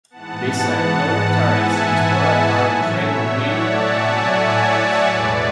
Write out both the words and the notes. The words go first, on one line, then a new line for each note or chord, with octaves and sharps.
This act lowered tariffs and spurred apparel trade with many African countries.
G#2 E3 B3 F#5 A5
E5 G#5
A2 F#3 A3 C#5 E5
C#5 E5
D5 F#5
F#5 A5
E5 G#5
D5 F#5
C#5 E5
E2 B2 G#3 B4 D5